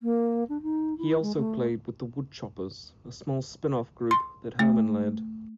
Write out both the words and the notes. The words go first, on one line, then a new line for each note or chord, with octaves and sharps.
He also played with the Woodchoppers, a small spin-off group that Herman led.
A#3
D4
D#4
E4
G#3
A3
C6
A3